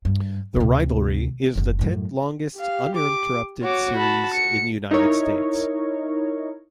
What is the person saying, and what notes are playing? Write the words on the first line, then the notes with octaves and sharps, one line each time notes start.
The rivalry is the tenth longest uninterrupted series in the United States.
G2
D2 C3
F#1 E2
F#2 A2
G4 F5
D6
F#4 C#5 D6
A5 B5
C#7
D#4 E4 A#4 C#5